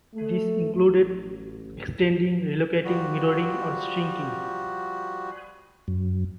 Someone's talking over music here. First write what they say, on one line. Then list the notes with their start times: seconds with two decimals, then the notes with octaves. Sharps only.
This included extending, relocating, mirroring or shrinking.
0.14 A3
0.73 A1
2.84 F3 G3 F#4
5.88 F#2